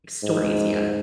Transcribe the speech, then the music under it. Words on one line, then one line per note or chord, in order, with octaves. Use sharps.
stories yet,
G#2